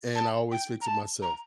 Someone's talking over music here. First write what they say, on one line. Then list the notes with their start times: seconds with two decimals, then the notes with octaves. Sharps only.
and I always fix it myself.
0.15 A5
0.52 G5
0.81 A#5
0.87 A5
1.22 A#5